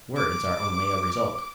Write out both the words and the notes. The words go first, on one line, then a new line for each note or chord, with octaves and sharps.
Words are only a result.
D6